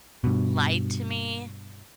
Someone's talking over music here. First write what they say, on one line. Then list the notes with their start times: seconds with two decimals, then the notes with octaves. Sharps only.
lied to me.
0.24 G2 B2